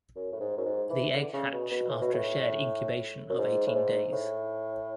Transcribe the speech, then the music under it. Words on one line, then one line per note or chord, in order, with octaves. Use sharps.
The egg hatch after a shared incubation of eighteen days.
F#2
A2
G#2
F#2
G#2
E3
D3
C#3
B2
B2
A2
B2
A2
F#2
G#2
A2
G#2
A2